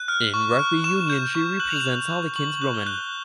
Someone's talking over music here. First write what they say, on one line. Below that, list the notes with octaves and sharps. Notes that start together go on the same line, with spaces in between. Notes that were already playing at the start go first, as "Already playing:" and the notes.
In rugby union she represents Harlequins Women.
Already playing: F#6
F6
C#6
F6
C#6 E7
G6
C#6
F#6 F#7
F7
E7
F#6 F7
F#6
C#6 F#7
F#6
G7
F#6